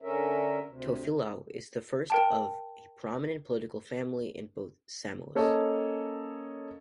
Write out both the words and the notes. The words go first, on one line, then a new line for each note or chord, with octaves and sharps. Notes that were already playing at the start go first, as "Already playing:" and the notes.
Tofilau is the first of a prominent political family in both Samoas.
D3 C#4 A#4 E5
D2 C3
A#4 G5 A5
A#3 C#4 A4 C#5 D#5